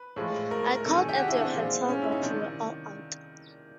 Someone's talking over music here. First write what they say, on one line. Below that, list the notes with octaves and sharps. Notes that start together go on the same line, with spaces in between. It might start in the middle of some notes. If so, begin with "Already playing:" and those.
I called at your hotel, but you were all out.
Already playing: B4
A2 F3 G#3
A#4
A#4
C3 D#3 G3 A4
G#4
G4
F#4
G4
E4
D4
C4
A#2 F3 G#3
C#4
E4
D#4
C3 D#3 G3 D4